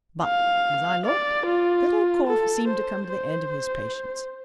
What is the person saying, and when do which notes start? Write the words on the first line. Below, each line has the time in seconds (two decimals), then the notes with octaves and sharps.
But as I looked little Kauf seemed to come to the end of his patience.
0.24 F5
1.06 D5
1.46 F4
2.27 A4
2.68 C5
3.09 C5